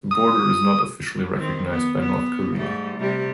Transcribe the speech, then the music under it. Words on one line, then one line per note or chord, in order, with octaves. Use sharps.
The border is not officially recognized by North Korea.
D#6
D#3 C4
B3
B3
G#2 G3 A3
C3 G3 G4